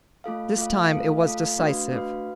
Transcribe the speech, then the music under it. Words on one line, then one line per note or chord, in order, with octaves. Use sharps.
This time, it was decisive.
A3 F4 A4 F5
A3 F4 A4 F5
A3 F4 A4 F5
A3 F4 A4 F5
A3 D4 F#4 B4 F5
A3 D4 F#4 B4 F5